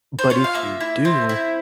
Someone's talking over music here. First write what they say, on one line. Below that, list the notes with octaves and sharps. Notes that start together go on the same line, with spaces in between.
but if you do,
C5
F4 C#5
F5
A#3 E5
E4
C4
E4